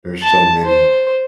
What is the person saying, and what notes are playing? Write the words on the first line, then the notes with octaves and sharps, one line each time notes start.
There's so many.
A5
C5